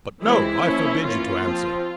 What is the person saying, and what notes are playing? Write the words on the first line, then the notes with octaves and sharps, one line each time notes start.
But no. I forbid you to answer.
E3 G#3 C4 E4
F3 A#3 C#4
E3 A#3 C#4 F4
F3 C4